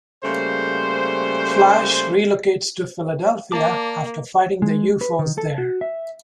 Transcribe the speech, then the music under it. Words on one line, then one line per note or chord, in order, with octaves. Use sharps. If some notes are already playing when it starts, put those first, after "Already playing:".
Flash relocates to Philadelphia after fighting the U-Foes there.
C#3 G3 A3 A#3 C5
A#3 D5 A5 D6
G#3
B4
D#3
A4
F#4
E5